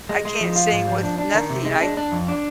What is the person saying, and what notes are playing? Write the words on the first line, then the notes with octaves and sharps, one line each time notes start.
I can't sing with nothing, I
G#3
G#3
F3
F4
G#2
F3
D4
D4
D#3
C3
G#3
D4
D4
F2
D4